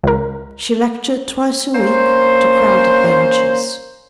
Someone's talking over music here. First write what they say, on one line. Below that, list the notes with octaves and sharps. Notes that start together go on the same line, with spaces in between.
She lectured twice a week to crowded benches.
C#2 A#4
A#3 C#4 C5